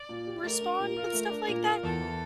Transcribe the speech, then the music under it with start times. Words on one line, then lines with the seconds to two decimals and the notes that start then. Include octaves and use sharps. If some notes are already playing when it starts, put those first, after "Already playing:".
respond with stuff like that.
Already playing: D5
0.09 A#2
0.27 G4
0.44 A3 A#4
0.61 D4
0.79 A#2
0.97 F4
1.13 A3
1.31 D4
1.48 A#2
1.66 F4
1.83 E2 A4
2.01 E3